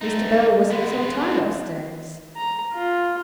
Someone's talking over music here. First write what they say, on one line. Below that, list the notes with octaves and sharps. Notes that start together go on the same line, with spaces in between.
Mr. Bell was some time up-stairs.
A3 D#4
G#3 B3
A#5
F4